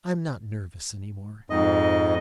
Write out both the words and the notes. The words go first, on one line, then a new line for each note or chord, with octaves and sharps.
'I'm not nervous any more.
F2 G#2 D#5